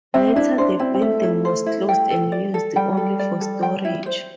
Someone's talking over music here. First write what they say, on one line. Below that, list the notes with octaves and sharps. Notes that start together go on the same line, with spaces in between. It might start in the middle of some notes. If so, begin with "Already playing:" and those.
Later the building was closed and used only for storage.
C4 E5
D4 E4
D4 C5
C4 E4
C4
A3 E5
E4
C5
E4
G5
A4
D5
A4
G3 G5
A4
D5
A4
G5
E4
C5